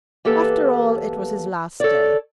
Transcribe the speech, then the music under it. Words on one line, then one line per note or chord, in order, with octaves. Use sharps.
After all it was his last day.
E2 A#3 G4 A4 B4 A5
A4 C#5 D5